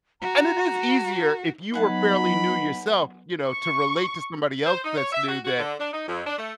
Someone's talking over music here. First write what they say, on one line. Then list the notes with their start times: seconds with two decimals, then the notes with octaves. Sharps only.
and it is easier if you are fairly new yourself, you know, to relate to somebody else that's new that
0.22 F#4 A#5
1.74 F#3 B3 D#4 G#4 F#5 A5 B5
3.47 C#6
4.66 C5
4.85 D#4
4.97 C#5
5.12 E5
5.28 F#4
5.45 F#4
5.59 D3
5.80 D4
5.93 D#4
6.08 F2
6.26 D4
6.39 A3